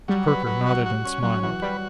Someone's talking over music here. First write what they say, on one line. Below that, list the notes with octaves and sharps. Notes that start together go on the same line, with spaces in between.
Perker nodded and smiled.
F#3 G3
B4
F#3
F#4
F#4
C#4
F#3 F#4
E3 F#4
G3 B4